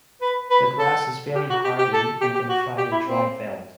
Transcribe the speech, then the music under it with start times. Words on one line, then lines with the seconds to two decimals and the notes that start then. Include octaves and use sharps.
The grass is very hardy and can thrive in dry veld.
0.22 B4
0.51 B4
0.79 A4
1.35 G4
1.50 F#4
1.64 G4
1.79 G4
1.93 A4
2.21 G4
2.35 G4
2.49 F#4
2.78 G4
2.92 E4
3.07 C4